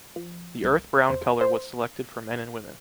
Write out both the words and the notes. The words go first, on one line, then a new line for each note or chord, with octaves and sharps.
The earth brown color was selected for men and women.
F3
C2
E2 C5
C5